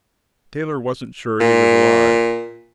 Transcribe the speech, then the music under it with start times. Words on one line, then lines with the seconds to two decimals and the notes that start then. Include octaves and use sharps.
Taylor wasn't sure he was alive.
1.40 A#2